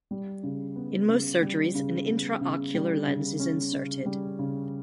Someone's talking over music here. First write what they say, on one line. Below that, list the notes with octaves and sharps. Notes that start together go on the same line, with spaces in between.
In most surgeries an intraocular lens is inserted.
G3
C#3
B3
C#3
G3
C#3
B3
C#3
G3
C#3
C#4
C#3
G3
C#3